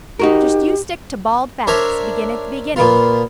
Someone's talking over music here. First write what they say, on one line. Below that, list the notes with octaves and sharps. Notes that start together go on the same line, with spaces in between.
Just you stick to bald facts. Begin at the beginning.
D#4 F#4 G4 A#4
D4 A#4 C5 C#5 E5
A#2 B3 F4